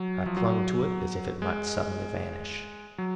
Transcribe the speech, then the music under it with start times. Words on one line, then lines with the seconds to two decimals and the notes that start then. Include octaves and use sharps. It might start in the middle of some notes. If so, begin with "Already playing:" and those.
I clung to it as if it might suddenly vanish.
Already playing: F#3
0.26 F3
0.37 F#3
1.42 G#3
2.98 F#3